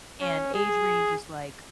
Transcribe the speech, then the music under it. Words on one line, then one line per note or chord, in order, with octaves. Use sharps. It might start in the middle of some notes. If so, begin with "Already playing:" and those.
and age range is, like,
C#4
G#4